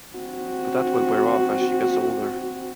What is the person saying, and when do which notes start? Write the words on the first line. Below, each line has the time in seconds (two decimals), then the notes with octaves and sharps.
But that will wear off as she gets older.
0.16 C4 F#4